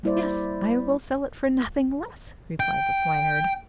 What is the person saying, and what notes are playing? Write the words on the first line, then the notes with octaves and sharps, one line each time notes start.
'Yes, I will sell it for nothing less,' replied the Swineherd.
G3 A#3 E4 C5 D5
G5